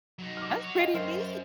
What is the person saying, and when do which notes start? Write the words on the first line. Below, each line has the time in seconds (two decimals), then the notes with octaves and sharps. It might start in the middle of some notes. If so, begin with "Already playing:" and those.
That's pretty neat.
0.19 F#3 D#4
0.37 D6 F6
0.60 F#4 C#5
0.77 D#5 F5 G5
0.94 F#2 A#4 C5